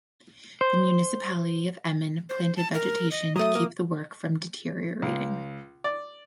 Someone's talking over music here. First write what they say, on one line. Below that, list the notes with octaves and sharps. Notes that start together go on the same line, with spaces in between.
The municipality of Emmen planted vegetation to keep the work from deteriorating.
C5
C5
A5
A#4
D#5
F#3 A3 D#6
A#3
C#2
D5